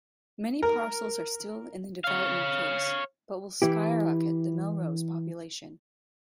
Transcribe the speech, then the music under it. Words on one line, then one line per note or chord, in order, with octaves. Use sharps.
Many parcels are still in the development phase, but will skyrocket the Melrose population.
A#4
C#5 F5
E3 E4 G4